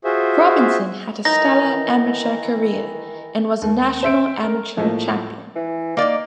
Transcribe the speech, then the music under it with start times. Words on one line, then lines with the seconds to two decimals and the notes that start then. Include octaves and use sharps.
Robinson had a stellar amateur career and was a national amateur champion.
0.04 F4 F#4 G#4 C5 E5
1.25 D#3 E3 D#4 A#6
3.62 D#2
4.03 C5 E5 D7
4.43 A#4
4.77 A2 F3 A3 A#3
5.55 E3
5.97 A#3 D#4 D5